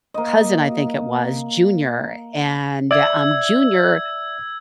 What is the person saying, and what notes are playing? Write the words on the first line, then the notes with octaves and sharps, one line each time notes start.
cousin I think it was, Junior, and, um, Junior
A#3 D#5
D5 E5 E6 G#6